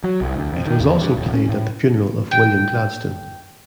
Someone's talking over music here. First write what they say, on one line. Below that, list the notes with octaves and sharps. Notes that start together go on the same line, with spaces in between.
It was also played at the funeral of William Gladstone.
F#3
C2
D2
F2
D#3
E2
G2
D#1
C#4
A2
G5